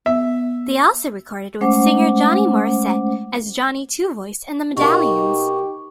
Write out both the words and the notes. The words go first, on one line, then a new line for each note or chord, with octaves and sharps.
They also recorded with singer Johnny Morrisette, as Johnny Twovoice and The Medallions.
B3 E5
G#3 A3 C#4 C5 F#5 D6
B2 A#3 D#4 G4 C#6